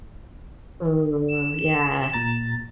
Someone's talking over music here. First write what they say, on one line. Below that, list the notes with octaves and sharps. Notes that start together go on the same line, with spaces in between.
Ooh, yeah.
E7
A#2 A#5 A6